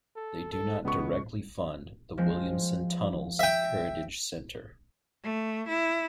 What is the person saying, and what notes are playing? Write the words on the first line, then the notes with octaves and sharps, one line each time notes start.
They do not directly fund the Williamson Tunnels Heritage Centre.
A4
A4
C#2 B3 C#6
F3 G#3 C4
E5 G5
A3
E4